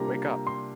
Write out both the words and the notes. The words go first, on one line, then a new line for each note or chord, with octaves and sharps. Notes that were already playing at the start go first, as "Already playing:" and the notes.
Wake up!
Already playing: C3 G3 A#3 D4 F4 A#5
C6